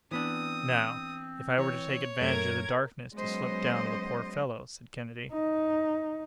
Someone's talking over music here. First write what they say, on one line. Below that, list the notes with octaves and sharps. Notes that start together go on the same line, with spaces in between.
"Now, if I were to take advantage of the darkness to slip down to the poor fellow?" said Kennedy.
E3 B3 C4 D4 D#6
E3 C#5
F#2 A3 A#4 G#6 D7
F#3 G#3 B3 C#4 C5 D#5
D#4